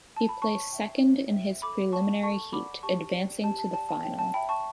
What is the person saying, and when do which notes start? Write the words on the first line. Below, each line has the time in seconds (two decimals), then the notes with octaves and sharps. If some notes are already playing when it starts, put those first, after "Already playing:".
He placed second in his preliminary heat, advancing to the final.
0.17 A5
0.29 B5
0.42 C#5 A5 C#6
0.73 E5 G5
1.03 C#5
1.32 E5 G5
1.62 A4 B5 D6
1.93 D5 F#5 A5 C#6
2.23 A4 A5 C#6
2.53 D5 F#5 B5 D6
2.83 G4 A5 C#6
3.13 D5 G5
3.43 G4 A5
3.59 A5
3.74 D5 G5 A5
3.89 A5
4.04 C#5 G5
4.19 A5
4.34 E5 G5 B5
4.49 A5 C#6